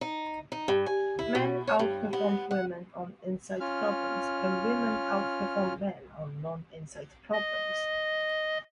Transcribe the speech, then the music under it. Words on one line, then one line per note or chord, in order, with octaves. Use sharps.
Men outperformed women on insight problems, and women outperformed men on non-insight problems.
D#4
D#4
G2
G#5
E4
B2
C#5
G2
B3
F#5
C#4 F4 F6
D#5